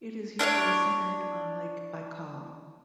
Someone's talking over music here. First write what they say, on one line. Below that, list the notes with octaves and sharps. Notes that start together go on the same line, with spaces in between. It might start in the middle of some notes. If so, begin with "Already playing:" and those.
It is usually centered on Lake Baikal.
D4 E4 A4 C#5